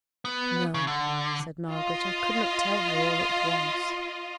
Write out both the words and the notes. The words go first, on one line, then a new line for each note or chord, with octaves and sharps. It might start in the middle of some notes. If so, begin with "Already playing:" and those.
'No,' said Margaret; 'I could not tell her all at once.'
B3
C#3
D3
F4 D#5